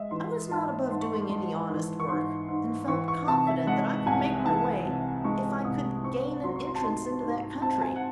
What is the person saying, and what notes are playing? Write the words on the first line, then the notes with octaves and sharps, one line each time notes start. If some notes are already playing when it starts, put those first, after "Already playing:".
I was not above doing any honest work, and felt confident that I could make my way if I could gain an entrance into that country.
Already playing: G#3 D#5 E5
E3 C6
G#2 A5
G#2 C6
C#6
C6
G#3 C6
E3
C#6
G#2 C6
G#2
E3 C#6
C#6
C3 A5
E5
G#3 F#5
C2 G#5
E3 A5
C3
G#3 C#6
C2 D#6
C4 C#6
F#3 C6
C#6
C6
A5
D#4 C6
G#2
C4 A5
G#5
F#5